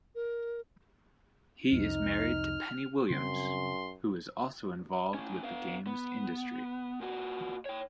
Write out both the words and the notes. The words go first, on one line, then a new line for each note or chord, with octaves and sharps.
He is married to Penny Williams, who is also involved with the games industry.
A#4
C2 F2 D#4 F6
F#2 C#3 G3 C4 C6
A2 C#4
B3 F5
B3
A#2 F#4
C#5 G5